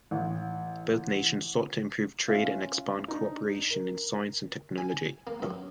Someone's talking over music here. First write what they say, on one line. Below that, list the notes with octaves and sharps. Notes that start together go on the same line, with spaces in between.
Both nations sought to improve trade and expand cooperation in science and technology.
A1
C#4 F4 E5 F5
D4 D#4
A#4
G#5
A#3
F#2